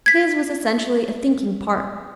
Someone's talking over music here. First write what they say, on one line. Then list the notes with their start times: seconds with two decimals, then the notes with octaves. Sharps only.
His was essentially a thinking part.
0.06 G#6 B6